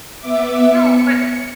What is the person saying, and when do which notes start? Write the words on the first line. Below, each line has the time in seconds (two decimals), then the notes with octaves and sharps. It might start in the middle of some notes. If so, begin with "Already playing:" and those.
No, but
0.19 B3 E5 D6
0.67 C#7